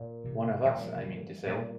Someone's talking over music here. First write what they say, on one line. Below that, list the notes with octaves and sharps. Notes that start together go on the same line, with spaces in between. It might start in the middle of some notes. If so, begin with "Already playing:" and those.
One of us, I mean to say.
Already playing: A#2
C3 E3
A#2 E3 G3
G3 A#3
F3 G#3
C#3 F3
E3 G3
A#2 G3 A#3